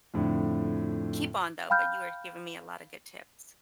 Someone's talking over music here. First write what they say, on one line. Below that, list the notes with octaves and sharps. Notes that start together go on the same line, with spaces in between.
keep on, though, but you were giving me a lotta good tips.
F2 A2 D3
F5 G5 B5 F6 G6